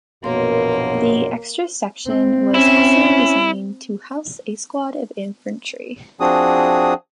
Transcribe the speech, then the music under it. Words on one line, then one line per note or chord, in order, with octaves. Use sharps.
The extra section was also designed to house a squad of infantry.
A#1 F#2 B2 A#3 A#4 C#5 C6
C4
C#4 E4
F3 C4 D4 F#4 G#4 D#6